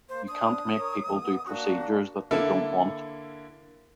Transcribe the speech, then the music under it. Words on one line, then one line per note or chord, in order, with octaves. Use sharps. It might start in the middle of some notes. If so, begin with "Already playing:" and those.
You can't make people do procedures that they don't want.
A#3 C5
D4 D#6
A#4 C#5
E3 G#3 A#3
B3
A#3 D4 F#4
D3 A#3 E4 A4